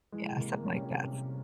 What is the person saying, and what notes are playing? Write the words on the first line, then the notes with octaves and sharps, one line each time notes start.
Yeah, something like that's
E3 G#3
C3
A#3
C3
C#4
G3
C3
C3